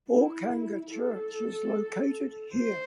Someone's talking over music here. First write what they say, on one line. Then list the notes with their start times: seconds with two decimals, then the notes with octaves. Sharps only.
Orkanger Church is located here.
0.10 E4
0.91 A4
2.54 C5